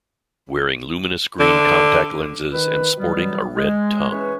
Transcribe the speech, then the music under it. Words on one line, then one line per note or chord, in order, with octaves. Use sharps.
Wearing luminous green contact lenses, and sporting a red tongue.
D3
D#3 B4
B2 E3 F#3 G3 B3
G#3
E3 C#4 G#4 B4 C#5